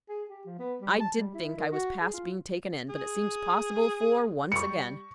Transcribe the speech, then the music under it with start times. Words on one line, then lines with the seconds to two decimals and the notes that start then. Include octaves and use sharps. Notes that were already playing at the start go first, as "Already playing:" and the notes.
I did think I was past being taken in, but it seems possible for once again.
0.09 G#4
0.30 G4
0.46 F3
0.59 B3
0.81 G3
1.00 A5
1.16 G3
1.34 E4
1.57 D#3
1.73 F#4
2.01 G#4
2.13 F4
2.89 G#4
4.52 G3 C#6 C#7